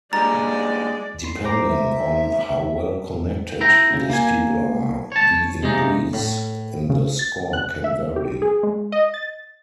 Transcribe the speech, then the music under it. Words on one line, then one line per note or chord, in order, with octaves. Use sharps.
Depending on how well-connected these people are, the increase in the score can vary.
G2 A#2 G#3 D5 A#5 A6
C6
C5 A#5 D6
E5
E4 E5 G5 A#5
C#3
A#3 G#5
C#5 A5
C3 G#3 A#3 D#4
A2
C#3
A6
F#6
E5
G4
G#4
G#3
D#5
A6